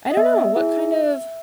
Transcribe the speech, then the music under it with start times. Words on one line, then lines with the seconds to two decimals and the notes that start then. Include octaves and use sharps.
I don't know, what kind of
0.11 D#5
0.17 B3 E5
0.56 E4 G#4